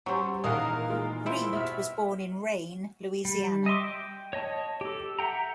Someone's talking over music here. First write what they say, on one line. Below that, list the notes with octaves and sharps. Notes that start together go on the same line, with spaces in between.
Reed was born in Rayne, Louisiana.
F#3 G3 C4 C#4
A#2 D#3 E3 G#4 A#4 F5 F#5 D#6
G#3 F4
G3 C4 E4
B2 E5 F6
G3
D#5 E5 C6 D6
G5
C#5 D#5 A5
G4 A4
E5 F#5 G5 A#5